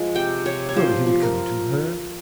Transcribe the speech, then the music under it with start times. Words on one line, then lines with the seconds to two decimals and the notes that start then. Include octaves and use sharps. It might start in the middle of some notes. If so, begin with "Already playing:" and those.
Surely he would come to her!
Already playing: F3 G#3
0.14 C3 G5
0.45 C3 C#5
0.69 C#5
0.76 F3 C5
1.07 F3
1.23 A#4